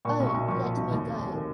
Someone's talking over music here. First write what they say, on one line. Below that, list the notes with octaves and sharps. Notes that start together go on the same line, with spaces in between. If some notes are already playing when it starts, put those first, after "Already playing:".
Oh, let me go!
A#2 C#6
B1
C#6
B1
F3 C#6
A#2
B1
D#2
F1
F1
D#3